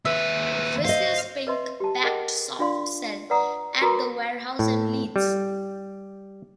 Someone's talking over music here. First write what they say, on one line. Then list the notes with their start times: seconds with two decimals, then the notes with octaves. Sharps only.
Vicious Pink backed Soft Cell at The Warehouse in Leeds.
0.05 D#2 B4 E5
0.85 C5 D#5 F5
1.47 B4 D#5 E5 C6
1.80 G4 A5
2.04 G#4 A#4 D#5 F#5 G5
2.59 D4 F4 D5 F5 C6
3.30 B4 D5 F#5 A#5 D#6
3.81 F#4 A#4 B4 A#5 C#6 D#6
4.59 A2
5.16 G3